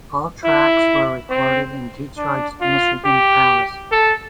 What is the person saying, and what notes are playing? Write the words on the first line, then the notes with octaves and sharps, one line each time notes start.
All tracks were recorded in Detroit's Michigan Palace.
E4
C4
D4
F4
G4
A4